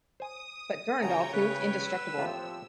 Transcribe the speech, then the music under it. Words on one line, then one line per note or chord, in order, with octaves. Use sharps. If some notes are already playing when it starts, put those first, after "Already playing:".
But Durendal proved indestructible.
C5 G#5 D#6
A2 C#3 C#4 F#4 C#5 G5 A#5
C#3 B4
E6
A2 F3 A#3 C4 G4 F5